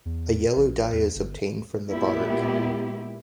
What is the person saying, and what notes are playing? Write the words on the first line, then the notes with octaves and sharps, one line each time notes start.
A yellow dye is obtained from the bark.
E2
A#1
E2
G1
A#2 G#3 B3 E4 G4